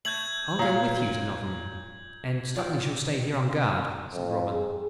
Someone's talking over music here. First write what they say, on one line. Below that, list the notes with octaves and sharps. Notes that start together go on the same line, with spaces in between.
"I'll go with you to Nottingham--and Stuteley shall stay here, on guard," said Robin.
A3 G6 G#6 F#7
A#2 C#5 F5
F4 D5 G5
F2
G#4